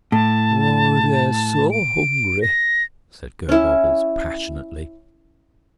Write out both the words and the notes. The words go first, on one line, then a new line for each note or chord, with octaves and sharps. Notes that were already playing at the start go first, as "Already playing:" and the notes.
"Oh, they're so hungry!" said Gobobbles, passionately.
A2 A5
D7
A#6
C#4 E4